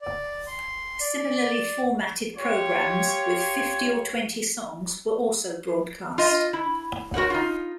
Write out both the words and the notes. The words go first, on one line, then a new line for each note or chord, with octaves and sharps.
Similarly formatted programmes with fifty or twenty songs were also broadcast.
D5
C6
D5
F4 G4 C#5
F4 D#5
E4
F#4 A#4 C#5 F#5
D#4 F4